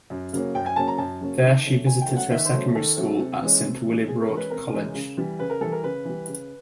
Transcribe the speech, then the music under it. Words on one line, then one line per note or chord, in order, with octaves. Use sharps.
There she visited her secondary school at Sint Willibrord College.
F#2
C#3 F#3 A#3 C#4
F#2 G5
G#5
C#3 F#3 A#3 C#4 A5
A#5
F#2 A5
C#3 F#3 A#3 C#4
D#3
F#3 A3 C#4
D#3 G#5
G5
F#3 A3 C#4
F#5
D#3 E5
C5
F#3 A3 C#4
D#3 A4
F#3 A3 C#4
C3
E3 G#3 C#4
C3
E3 G#3 C#4
C3 G#4
A#4
E3 G#3 C#4
B4
C3 A#4
E3 G#3 C#4
C#3
E3 G3
C#3 B4
A#4
E3 G3 A4
A#4
C#3 B4
E3 G3
C#3